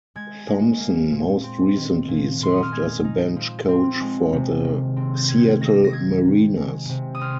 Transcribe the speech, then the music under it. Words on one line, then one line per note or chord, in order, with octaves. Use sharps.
Thompson most recently served as the bench coach for the Seattle Mariners.
G#3 G#6
G#3
A#3
A#2
C4
D#3
A#2
A#2 C6
D#6
F6
G#3 G#6
D#4
F3
C4
G#3
C3
D#3
C4
C3 G#6
D#3 A#6
A#6
A#3 G#6
C3
G#3
C3
D#6
C4 F6